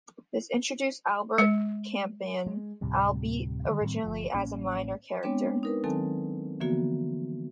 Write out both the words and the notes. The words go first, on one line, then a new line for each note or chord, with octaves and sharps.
This introduced Albert Campion, albeit originally as a minor character.
G#3
G#3
D2 A2 C3 G3
D3 D#3 G3
A2 D#3 G3 C4
G1 F3
A1 A#3 C#4
G#3 B3 C4 D4 C#5 G5
D#4 A#4 B4
D#3 F#3 C4 A4 G#5 A5
D3 E3 F3 A#3 B3 F#4